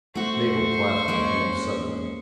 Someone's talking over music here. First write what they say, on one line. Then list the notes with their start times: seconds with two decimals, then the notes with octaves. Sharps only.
Mabel clasped her hands suddenly.
0.15 A3 F#4 C5 C#6
1.08 G#3 A#3 C#4